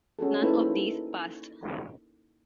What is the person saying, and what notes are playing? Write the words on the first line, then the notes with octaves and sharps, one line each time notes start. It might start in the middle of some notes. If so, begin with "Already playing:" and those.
None of these passed.
C#4 F#4 G#4 A4
A#3 D#4 E4 A4 B4 C5